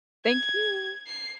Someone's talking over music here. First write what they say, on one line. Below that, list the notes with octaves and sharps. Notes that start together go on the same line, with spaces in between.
Thank you!
G#6
C7